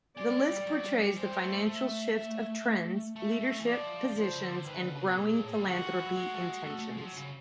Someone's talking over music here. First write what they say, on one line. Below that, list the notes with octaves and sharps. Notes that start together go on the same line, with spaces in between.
The list portrays the financial shift of trends, leadership positions, and growing philanthropy intentions.
G#3 D5
G3
G#3
G3
G3
F#3
G3
G3
G#3 C5
G3
G#3
A3
A3 E5
A3 E5
A3
E3
F3 D5
F3 C5
C#3
D3
D#3 B4
D3
C#3
B2
A#2 G#4
A#2
A2
A#2
D3 F#4
D#3
E3
F#3
G#3
A3
G#3
A3
A3
G#3
F3
F#3
C3
C#3